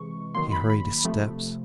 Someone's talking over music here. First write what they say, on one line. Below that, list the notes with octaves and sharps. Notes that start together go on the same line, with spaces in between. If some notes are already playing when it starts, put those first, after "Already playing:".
He hurried his steps.
Already playing: C3 E3 G#3 C#6
D#3 F#3 A#3 C6
B5
B5
C3 F3 A3